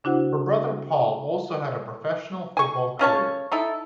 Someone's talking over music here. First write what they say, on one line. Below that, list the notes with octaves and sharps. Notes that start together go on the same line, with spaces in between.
Her brother Paul also had a professional football career.
C#3 D4 E4 F#4 C5 F#5
G#5 C#6
C#3 C#4 C#5 A5
D#4 E4 A4